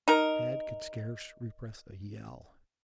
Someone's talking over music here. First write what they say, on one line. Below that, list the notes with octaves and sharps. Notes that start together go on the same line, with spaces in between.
Tad could scarce repress a yell.
D#4 A#4